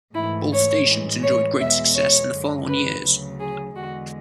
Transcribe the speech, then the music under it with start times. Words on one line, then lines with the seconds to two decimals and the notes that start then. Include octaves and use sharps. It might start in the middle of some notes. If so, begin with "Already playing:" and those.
Both stations enjoyed great success in the following years.
0.15 G#2 E3 A3 E4
0.51 C#5
0.87 A2 E3 G#3
1.23 C#5
1.59 E2 B2 G#3 E5
1.95 C#5
2.32 F#2 D3 G#3
2.68 B4
3.04 D2 C#3 F#3
3.39 G#4
3.75 E2 D3 G#3 F#4